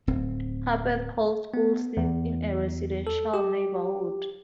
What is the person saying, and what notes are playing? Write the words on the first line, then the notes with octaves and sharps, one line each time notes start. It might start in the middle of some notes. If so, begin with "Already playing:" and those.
Harpeth Hall School sits in a residential neighborhood.
D1 C4
B3
E2
A4
G4